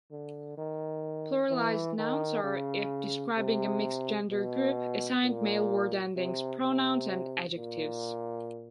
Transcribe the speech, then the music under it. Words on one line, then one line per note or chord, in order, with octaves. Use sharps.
Pluralized nouns are, if describing a mixed-gender group, assigned male word-endings, pronouns, and adjectives.
D3
D#3
E3
D#3
C#3
C3
B2
A#2
C3
C3
A#2